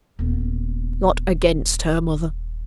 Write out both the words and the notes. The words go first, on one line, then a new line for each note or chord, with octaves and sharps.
'Not against her, mother!
D#1 B3